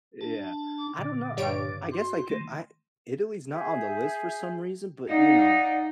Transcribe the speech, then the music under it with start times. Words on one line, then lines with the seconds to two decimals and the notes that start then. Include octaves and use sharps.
Yeah, I don't know, I I guess I could I Italy's not on the list for some reason, but, you know,
0.21 D4 A5
0.78 D6
0.99 A#2 D3
1.37 G2 C#5 D7
1.91 F#4 C6
2.29 D#3 A3
3.53 G#4 E5 G6
5.08 D#4 D5 F5 F#5